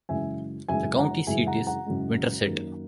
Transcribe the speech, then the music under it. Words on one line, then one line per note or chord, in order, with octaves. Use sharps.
The county seat is Winterset.
F#2 C#3 E3 G#3 E5 G#5
F#2 C#3 E3 G#3 E5 G#5
F#5 A#5
F#2 C#3 E3 G#3 E5 G#5
F#5 A#5
F#5 A#5
F#2 C#3 E3 G#3
F#2 D#3 A#3